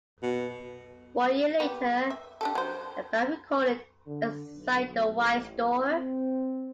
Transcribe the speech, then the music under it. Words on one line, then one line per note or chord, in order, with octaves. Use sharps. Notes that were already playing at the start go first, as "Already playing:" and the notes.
One year later the band recorded "Inside the Why Store".
B2
B3 G4
E5
D4 G4 A4
F#3 C5
D3
B1
A1
C4